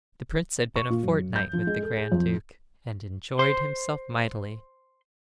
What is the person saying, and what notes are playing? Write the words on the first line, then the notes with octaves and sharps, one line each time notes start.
The prince had been a fortnight with the grand duke, and enjoyed himself mightily.
C#6
A#2
F#2
G6
F3
G#3
A4
G#4
F2
C5 C6